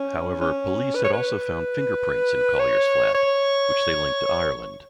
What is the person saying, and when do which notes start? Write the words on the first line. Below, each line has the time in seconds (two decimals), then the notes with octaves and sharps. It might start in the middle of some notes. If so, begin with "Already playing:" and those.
However, police had also found fingerprints in Collier's flat, which they linked to Ireland.
Already playing: C#4
0.41 C#4
0.95 B4
1.04 C#5
1.13 B4
2.60 C#5
3.15 C#5